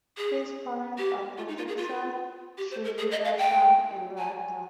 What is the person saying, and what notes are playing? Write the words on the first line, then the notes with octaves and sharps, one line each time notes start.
His parents are professor Srinivasan and Radha.
G#4
G4
F4
D#4
F4
G#4
F4
G4
C5
A#4
G#4
D#5
F5
G5
G#5